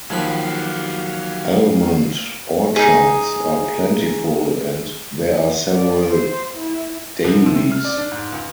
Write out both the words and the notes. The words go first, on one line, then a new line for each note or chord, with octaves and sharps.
Almond orchards are plentiful, and there are several dairies.
D#2 F3 F#3 G4 F5 B5
D#4 G#4
D5
C5
E4
C2
C3
F6
D5
D4
G#2
C#2